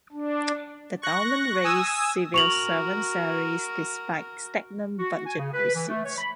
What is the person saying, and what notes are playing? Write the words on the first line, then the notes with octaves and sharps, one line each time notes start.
The government raised civil servant salaries despite stagnant budget receipts.
D4
C#6 F#6 A#6
G#5 D#6 E6
F#4 A#4 C#6 F7 F#7
F#4
G#5
C#3
B4
E3
A3
C#5
B5